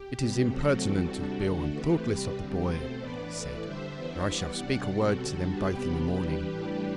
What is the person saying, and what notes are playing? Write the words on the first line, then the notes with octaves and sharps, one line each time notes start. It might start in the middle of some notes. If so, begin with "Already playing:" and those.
"It is impertinent of Beale and thoughtless of the boy," he said; "and I shall speak a word to them both in the morning."
Already playing: G4
C3 G3 B3
C3 F#3 A3 C4 F#4 A4
E3 G3 C4
C3 G3 D4 F#4 A4
D3 A3 D4
E3 A3 C4 G4 B4
C3 G3 C4
D3 G3 C4 G4
B2 A3 C4 A4 C5
A2 E3 B3 D4 B4 D5
A2 E3 A3
D3 G3 D4 C5 E5
E3 B3 D4
E3 G3 B3 D5 F#5
C3 G3 D4 D5 F#5
B2 G3 C4 F#4 A4
D3 G3 D4
C3 G3 B3 G4 B4
C3 F#3 B3 D4
E3 G3 D4
A2 E3 G3 D4